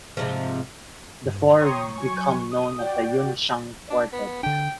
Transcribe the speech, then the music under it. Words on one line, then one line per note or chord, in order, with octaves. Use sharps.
The four become known as the "Yun Shang Quartet".
G#2 C3 F3
G2
C#5 G5 A#5 C6 C#6 D#6
F#3 G#5 C#6
D#6
F#4 D5 G5
D4
B3
D3 D4 G5